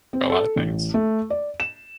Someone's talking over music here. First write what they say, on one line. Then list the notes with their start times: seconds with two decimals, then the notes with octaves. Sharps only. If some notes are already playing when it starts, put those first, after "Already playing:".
A lotta things.
0.13 C4
0.30 A4
0.56 A1
0.94 A3
1.30 D5
1.60 E7